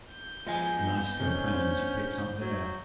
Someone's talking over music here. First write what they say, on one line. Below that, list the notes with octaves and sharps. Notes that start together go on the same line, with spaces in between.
Nice companions he picks up there!
G6
F3 B3 F4 D#5 G#5
C3 C#4 A4
D4 C5
F#3